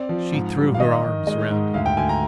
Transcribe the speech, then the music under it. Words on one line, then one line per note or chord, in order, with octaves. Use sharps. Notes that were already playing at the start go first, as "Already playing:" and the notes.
She threw her arms round him.
Already playing: C4 D5
F3
G#2
G3
F5
D#3 D#5
D#3
G#3 D#5
G#2
D2 F5
G5
D2 G#5
A#5